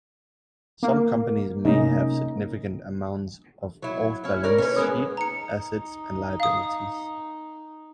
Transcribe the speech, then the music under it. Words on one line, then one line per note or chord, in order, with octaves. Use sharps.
Some companies may have significant amounts of off-balance sheet assets and liabilities.
A#3
C3 C#4 D#4
F#3 E4
C#4 E4
C#4 A#4 D5
C#4 B4
G#3 B3
D#4 A#5 C#7
F5 D#6